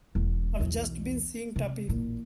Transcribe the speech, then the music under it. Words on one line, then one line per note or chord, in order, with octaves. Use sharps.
I've just been seeing Tuppy.
E1 E2
B1 E2
C3
A1 A#2